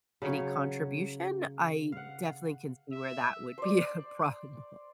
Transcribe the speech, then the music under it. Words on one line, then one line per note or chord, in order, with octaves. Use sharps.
any contribution, I definitely can see where that would be a problem.
C#3 F#3 C#5
F5 F#5
E5
C5 D5